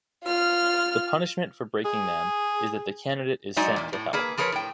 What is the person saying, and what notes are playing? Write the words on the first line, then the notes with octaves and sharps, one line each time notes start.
The punishment for breaking them is that the candidate is sent to Hell.
F4 F6
G#4
F#3 G#3 D#4 D5 G#5
E2 A#2
A2
A#3 G#4 B4
F3 G#4 A#4 B4 C#5
A2 G5